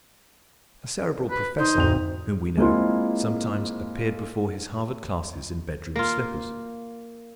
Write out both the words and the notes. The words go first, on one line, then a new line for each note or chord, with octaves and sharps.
A Cerebral professor whom we know sometimes appeared before his Harvard classes in bedroom slippers.
B4
D#4 C5
D1 F2 F7
G#3 A#3 C4 E4 F4
A#3 F4